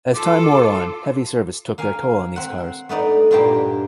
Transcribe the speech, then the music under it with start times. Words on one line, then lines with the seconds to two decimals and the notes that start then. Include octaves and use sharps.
As time wore on, heavy service took their toll on these cars.
0.14 F4 A4 D6
1.78 A#3 F5 G#5
2.36 C4 F#5
2.89 A3 B3 D#4 D5
3.31 G2 A#2 A#3 G4 G5 A5